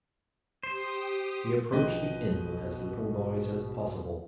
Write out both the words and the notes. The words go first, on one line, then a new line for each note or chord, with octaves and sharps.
He approached the inn with as little noise as possible.
G4 C5 D#6
A#1 B2 F3 B4 D#5 G5